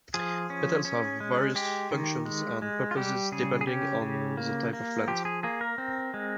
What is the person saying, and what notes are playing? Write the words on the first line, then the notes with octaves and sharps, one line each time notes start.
Petals have various functions and purposes depending on the type of plant.
F3 G#4
C#4
C#4
G#3
G#3 G4
D#3
G#3
G#3
F4
G3 G4
C#3 G#4
G#4
C#4 G4
C#3
A#3
A#3
F3 G4
G#4
A#3 G#4
A#4
C4
G#3